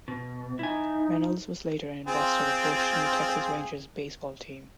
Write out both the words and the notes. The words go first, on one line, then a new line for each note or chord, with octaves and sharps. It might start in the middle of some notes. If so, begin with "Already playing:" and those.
Reynolds was later an investor with Bush in the Texas Rangers baseball team.
B2
D#4 E4 G#5
C4 F4 G#4